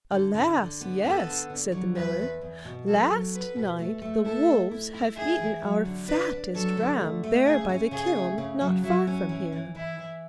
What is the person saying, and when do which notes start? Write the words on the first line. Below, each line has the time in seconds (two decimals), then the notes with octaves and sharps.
'Alas! yes,' said the miller, 'last night the wolves have eaten our fattest ram there by the kiln not far from here.'
0.11 D3
0.34 D3
0.57 D3
0.81 B3
1.04 B3 A4
1.27 D3
1.50 D3
1.72 F#3
1.95 E2 B4
2.19 E2
2.41 E2
2.65 B2
2.88 F#3 A4
3.11 F#3
3.33 B3 B4
3.56 B2
3.79 A3
4.02 A3
4.25 E4 A4
4.48 E4
4.71 E4
4.94 E4
5.16 E4 G#4
5.40 E3
5.63 F#3
5.85 D3
6.08 D4 B4
6.32 D4
6.55 F#3 A4
6.77 D3
7.00 A3
7.23 A3
7.46 C#3 G#4
7.69 C#4
7.91 C#3 G#4
8.15 A3
8.38 C#3
8.61 F#3
8.84 F#3 E4
9.07 C#4
9.29 E3
9.52 E3
9.75 E3 E4
9.98 E3